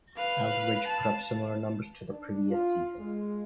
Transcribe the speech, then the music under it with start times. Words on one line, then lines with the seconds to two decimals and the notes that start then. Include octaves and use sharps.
Aldridge put up similar numbers to the previous season.
0.17 B4 F5
0.87 A5
2.10 D4
2.49 F4
2.99 G#3